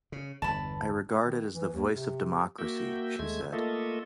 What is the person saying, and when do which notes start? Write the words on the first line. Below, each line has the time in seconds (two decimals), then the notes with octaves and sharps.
"I regard it as the voice of democracy", she said.
0.12 C#3
0.42 G1 E2 A5 B5
1.23 D#3
1.53 E3
1.73 D#2
1.90 C3
2.58 A#3 F#4 E5 G5
3.19 D#2 G#3 A3 E5 G#6
3.53 A3 A#3 F4 A4 D#5 E5